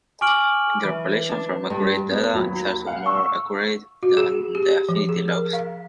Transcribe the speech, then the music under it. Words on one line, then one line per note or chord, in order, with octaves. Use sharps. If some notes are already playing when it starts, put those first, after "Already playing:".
Interpolation from accurate data is also more accurate than the affinity laws.
G#5 C#6 D6 F6 D7 F#7
E3
D4
G2
B3
D#2 F#3 B5
F5 F#5
C#6 E6
F#4
G#4
G4
F3
G#4
A#4
F5